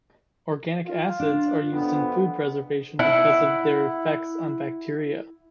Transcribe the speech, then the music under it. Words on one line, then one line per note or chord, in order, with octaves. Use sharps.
Organic acids are used in food preservation because of their effects on bacteria.
F4
D4
F2 B3
E4 F#5